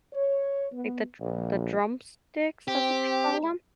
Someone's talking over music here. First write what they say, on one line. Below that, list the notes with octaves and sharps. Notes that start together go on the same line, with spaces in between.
like, the Dr the Drumsticks, that's what they call 'em?
C#5
B3
A#1
C4 G4